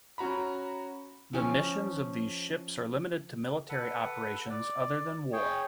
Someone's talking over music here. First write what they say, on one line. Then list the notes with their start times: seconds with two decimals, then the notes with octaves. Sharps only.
The missions of these ships are limited to military operations other than war.
0.18 C#4 F#4 A#5 B5
1.33 F3 C#4
3.69 A4 B4 F#5
4.50 D5
5.33 G#4 C#5 G5